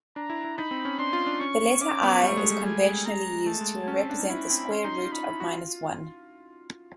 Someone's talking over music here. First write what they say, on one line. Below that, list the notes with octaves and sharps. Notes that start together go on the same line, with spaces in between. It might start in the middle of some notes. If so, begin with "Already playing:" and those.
The letter i is conventionally used to represent the square root of minus one.
D4 A#5
E4
E4
D#4 B5
C4
C#4
D4 C6
F4
D4
C#4 C#6
C#4 D6
B3
G3 C#6
A3
G#3
G#3
G#5
A#5
A3 A5
G#3
C#4
C4
D4
D#4
E4 B5
C4
C#4 C6
D#4
F4
D#4 B5
E4
F#4
F4